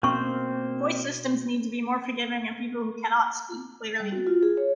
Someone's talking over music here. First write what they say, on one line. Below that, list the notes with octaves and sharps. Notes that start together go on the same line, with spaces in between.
Voice systems need to be more forgiving of people who cannot speak clearly.
B2 A#3 C4 C#4 C5 C#6
G3
F#4
F4
G#4
C#5